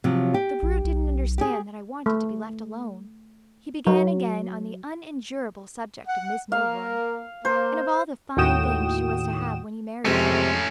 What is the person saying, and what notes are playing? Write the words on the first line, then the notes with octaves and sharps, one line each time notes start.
The brute didn't understand that I wanted to be left alone; he began again on the unendurable subject of Miss Milroy, and of all the fine things she was to have when he married her.
C3 F3 F#3
G4
A#1
B1
G4 G#4
A3
F#3
F#5
A#3 A#4 F5
A#3 C5
D#2 A2 F#4 G5 D#6 E7
F2 C3 G#3 A3 C#4